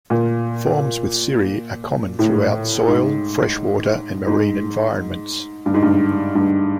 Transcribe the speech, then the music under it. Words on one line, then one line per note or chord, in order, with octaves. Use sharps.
Forms with cirri are common throughout soil, freshwater, and marine environments.
A#2
A2
G#2
G#2
G2
G#2
G2
G2